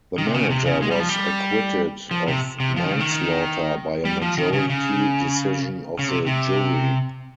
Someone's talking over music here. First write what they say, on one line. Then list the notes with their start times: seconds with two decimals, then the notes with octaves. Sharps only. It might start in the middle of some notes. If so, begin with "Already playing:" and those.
The manager was acquitted of manslaughter by a majority decision of the jury.
0.18 D#3
0.27 C3
0.34 C#3
0.50 C3
0.66 C#3
0.82 G#3
0.91 G3
1.00 F3
1.09 G3
2.11 F3
2.28 C3
2.60 C3
2.77 F3
2.84 D#3
2.92 C#3
3.00 D#3
4.05 G3
4.22 F3
4.38 D#3
4.53 C#3
4.70 C#3
5.99 C#3
6.09 C3
6.27 C3